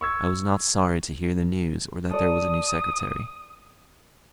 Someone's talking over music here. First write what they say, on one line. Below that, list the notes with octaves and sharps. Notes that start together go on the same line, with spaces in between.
I was not sorry to hear the news or that there was a new secretary.
C#6 E6 G#6
A4 D5 D#6